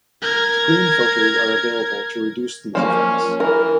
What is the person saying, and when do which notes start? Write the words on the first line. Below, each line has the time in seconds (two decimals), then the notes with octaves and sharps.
Screen filters are available to reduce these effects.
0.22 A#4 G#6
2.75 F3 G3 A#3 C#4
3.40 E3 A#4